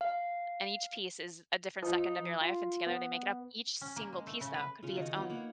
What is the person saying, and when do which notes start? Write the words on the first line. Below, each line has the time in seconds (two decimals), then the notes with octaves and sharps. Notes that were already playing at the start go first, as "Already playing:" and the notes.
and each piece is a different second of your life and together they make it up, each single piece though could be its own
0.01 F5
1.82 F3 D#4 F4
2.41 F4
2.87 B3
3.81 C#4
3.96 A#3
4.12 G#3
4.27 A3
4.41 C#3
4.54 B4
4.83 C#3 F4
4.96 D#3 D#4 F#4
5.14 B3 D#4 F4
5.30 A#3 C#5 F#5